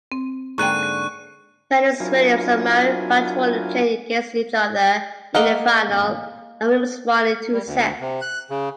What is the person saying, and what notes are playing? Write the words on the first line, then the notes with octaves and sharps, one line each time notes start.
Venus Williams and Marion Bartoli played against each other in the final, and Williams won in two sets.
C4
G#2 D3 A#3 G5 A#5 C#6 F#6 D#7
F#3 D4 E4 F4 A#4 G#5
A#3 D#5 F5 F#5
G3
D2
C3
F#6
C#3